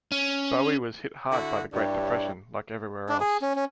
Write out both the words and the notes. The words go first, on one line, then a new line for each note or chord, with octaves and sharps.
Bowie was hit hard by the Great Depression like everywhere else.
C#4
D3 E4 F#4
G2 D4 E4 G4 C#5
D4
G#4
C#4
C#4